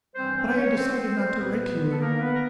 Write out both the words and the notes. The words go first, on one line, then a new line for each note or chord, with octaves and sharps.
But I had decided not to write to you any more.
G2 E3 G3 C4 C5
C4 C5
C5
C#4 C#5
C4 C5
C4 C5
C4 C5
C2 A#2 G3 B3 B4
A4
A#3 A#4
B3 B4
A#4